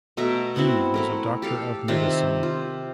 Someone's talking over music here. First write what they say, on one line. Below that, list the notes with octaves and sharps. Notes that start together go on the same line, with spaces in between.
He was a doctor of medicine.
B2 A3 E5 A#5
B3 C4 E4 F#4
A3 E4 A#4
G4 A4 F5
C3 D#3 F4 E5
F4